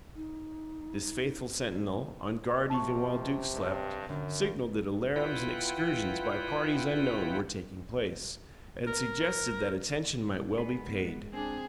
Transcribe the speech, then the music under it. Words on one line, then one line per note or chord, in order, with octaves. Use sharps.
This faithful sentinel, on guard even while Duke slept, signalled that alarums and excursions by parties unknown were taking place, and suggested that attention might well be paid.
D#4
C3 F3 A5 C#6
F#1 E2 G2
F#2 D3 D#3
E4 F4 B4 F#5 G5
A#4
G#2 B2 B3 G#4 B4
G#3
C4 D4 G#4